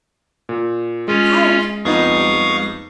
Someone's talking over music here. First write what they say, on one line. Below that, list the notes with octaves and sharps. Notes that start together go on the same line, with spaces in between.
"Kadok!" she cried eagerly.
A#2
G#3 C#4 F4
F2 B3 D#4 F5 C#6 D#6